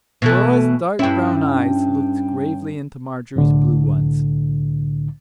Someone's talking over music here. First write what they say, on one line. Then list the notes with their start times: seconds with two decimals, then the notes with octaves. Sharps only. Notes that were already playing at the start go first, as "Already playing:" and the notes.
Dora's dark brown eyes looked gravely into Marjorie's blue ones.
0.22 B2 E3 A3
0.99 G2 C#4 E4 G5
3.36 C2 A2 D3